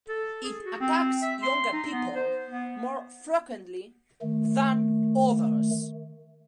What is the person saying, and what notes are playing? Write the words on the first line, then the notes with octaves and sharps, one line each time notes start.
It attacks younger people more frequently than others.
A4
G#4
F#4
C4
E5
C6
D#4
B3
C5
B3
D#3 A3